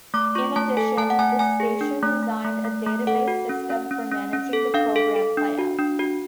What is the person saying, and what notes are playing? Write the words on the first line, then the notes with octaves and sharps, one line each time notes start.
In addition, the station designed a database system for managing the program playout.
A3 D6
F4 C#6
A3 A5
A4 G#5
A3 A5
F#5
A3 G#5
A3 G#5
G#4
D4
A3
A3
A3
A3
A3
A4 F#5
F#4
C#4
C#4
C#4
C#4
C#4
A4
D4 F5
A4
A4
D4
F#4
D4
F#4